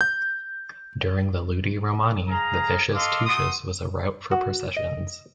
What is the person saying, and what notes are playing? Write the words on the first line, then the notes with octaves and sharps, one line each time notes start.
During the Ludi Romani, the Vicus Tuscus was a route for processions.
G6
G#4 F5 A#5
A4 D#5 F5 C6 D6
A3 F#4 C6 D#6
F#4
D#5